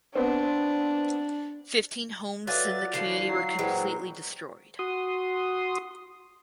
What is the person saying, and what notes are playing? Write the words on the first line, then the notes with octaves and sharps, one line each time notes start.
Fifteen homes in the community were completely destroyed.
B3 C4 D4
F#3 F4 A4 B4 D5 E5 G#5 A6
D3 E3 F3 F#4 F5 C7
F#3
A#2 E3 G#3 C5 F#5 G5
F#4 C6 D#6